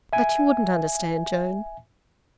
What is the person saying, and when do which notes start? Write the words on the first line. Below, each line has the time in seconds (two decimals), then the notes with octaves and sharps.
But you wouldn't understand, Joan.
0.13 E5 G#5